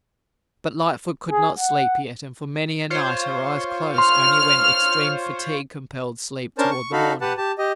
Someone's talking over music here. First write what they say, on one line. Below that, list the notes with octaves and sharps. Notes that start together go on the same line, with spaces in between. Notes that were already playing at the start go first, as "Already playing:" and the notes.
But Lightfoot could not sleep yet and for many a night her eyes closed only when extreme fatigue compelled sleep toward the morning.
G#4
F#5
F4 C5 C#5
C6 F6
C#4 D4 A#4 C5 A5
C#6
D#4 F#4 A4 F5 B5
G4 B4 F#5 A5
G4 A5
G4 D#5